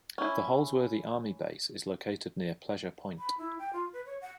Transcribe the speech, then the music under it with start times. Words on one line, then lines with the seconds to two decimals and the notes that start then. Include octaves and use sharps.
The Holsworthy Army Base is located near Pleasure Point.
0.18 C#4 E4
3.19 B5
3.38 E4
3.59 G5
3.73 F4
3.93 B4
4.06 C#5
4.21 F#5